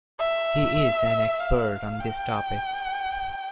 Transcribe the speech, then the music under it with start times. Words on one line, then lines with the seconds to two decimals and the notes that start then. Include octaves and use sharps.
He is an expert on this topic.
0.19 E5
1.40 F5
2.00 G5